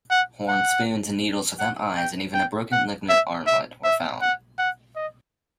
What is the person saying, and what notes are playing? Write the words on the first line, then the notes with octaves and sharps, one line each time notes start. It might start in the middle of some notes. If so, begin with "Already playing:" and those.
Horn spoons and needles without eyes and even a broken lignite armlet were found.
F#5
F#5
F#5
G5
G5
F#5
E5
E5
E5
F#5
F#5
D#5